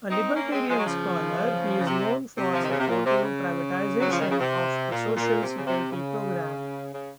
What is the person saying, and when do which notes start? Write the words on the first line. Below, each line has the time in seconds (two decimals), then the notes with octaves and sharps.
A libertarian scholar, he is known for supporting privatization of the Social Security program.
0.10 C4 D#4
0.35 A#3 C#4
0.52 G#3 C4
0.69 F3 G#3
0.79 F#3
0.86 C#3 F3
1.79 C#3
1.87 C3
2.38 C3
2.53 F3
2.62 D#3
2.70 C#3
2.79 C3
2.88 A#2
3.05 C3
3.22 C#3
3.99 F#3
4.10 F3
4.20 D#3
4.30 C#3
4.40 C3
4.91 A#2
5.16 A#2
5.42 C3
5.55 C#3
5.67 C3
5.92 C#3
6.93 C#3